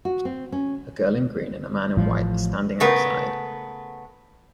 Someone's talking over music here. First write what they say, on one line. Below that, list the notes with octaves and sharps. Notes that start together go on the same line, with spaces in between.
A girl in green and a man in white are standing outside.
F#4
C4
C#4
A1 A2 F3
C#3 A3 B3 A#4